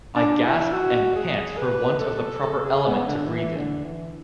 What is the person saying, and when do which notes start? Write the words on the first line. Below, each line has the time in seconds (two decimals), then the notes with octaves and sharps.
I gasp and pant for want of the proper element to breathe in.
0.16 D4
0.45 E4
0.72 F#4
1.16 G#4
1.58 B4
2.01 A4
2.43 A4
2.65 G#4
2.86 B3
3.07 D3
3.28 E3
3.57 D3
3.85 E3